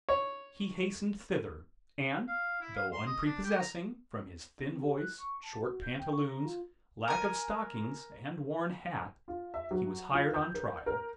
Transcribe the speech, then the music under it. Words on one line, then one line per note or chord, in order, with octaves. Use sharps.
He hastened thither, and, though unprepossessing, from his thin voice, short pantaloons, lack of stockings, and worn hat, he was hired on trial.
C#5
F5
E4
F5
C6
D#5
D4
G4
A#5
C4
G4
F#6
C#6
A5
F#4
G6
G5
C#6
A#5
F4
A#4 G#5
F4
E5
F#3
F4
G6
A#4
A#4